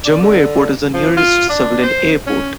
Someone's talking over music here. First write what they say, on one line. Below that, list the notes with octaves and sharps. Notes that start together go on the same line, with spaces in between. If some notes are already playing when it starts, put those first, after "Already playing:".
Jammu airport is the nearest civilian airport.
D5
D3
F3
F4
D4
C5
C#4